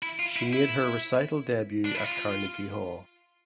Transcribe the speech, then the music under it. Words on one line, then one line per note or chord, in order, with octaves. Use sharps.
She made her recital debut at Carnegie Hall.
E4
F4
E4
E4
D4
E4
F4